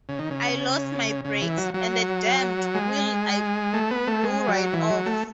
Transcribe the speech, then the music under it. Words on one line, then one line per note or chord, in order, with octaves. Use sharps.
I lost my brakes, and the damned wheel blew right off.
C#3
D#3
C#3
C#3
E3
F#3
F#3
G#3
A3
B3
A3
G#3
F#3
E3
F#3
A3